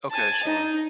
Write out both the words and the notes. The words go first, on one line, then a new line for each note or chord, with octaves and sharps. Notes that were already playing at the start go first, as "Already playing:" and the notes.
Okay, sure.
G#5 A5
D#4